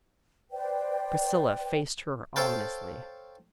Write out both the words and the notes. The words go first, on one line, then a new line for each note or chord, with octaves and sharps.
Priscilla faced her ominously.
B4 C5 D5 G5
A4 C5 C#5 F5 G5 A5